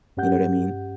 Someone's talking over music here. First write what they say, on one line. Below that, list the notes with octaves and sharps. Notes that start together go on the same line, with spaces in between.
you know what I mean?
G2 C#4 G4 F#5 G6